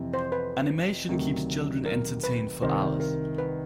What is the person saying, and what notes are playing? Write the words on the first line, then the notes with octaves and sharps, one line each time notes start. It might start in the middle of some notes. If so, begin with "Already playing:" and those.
Animation keeps children entertained for hours.
Already playing: F2 C3 E3
C5
B4
D2 C3 D#3 F#3
A#4
B4
C2 C3 D#3 C5
A#4
B4